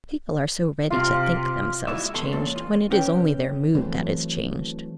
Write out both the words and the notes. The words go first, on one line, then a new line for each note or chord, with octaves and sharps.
People are so ready to think themselves changed when it is only their mood that is changed!
C3 F4 F5
G#3 D#4 E4 F#4 D5 E5
E2 B2 A4 C6
E2 A#2 C#3 G#3 D5
F4
C3 C#4 B4 G5
E3 F#3 A3 C4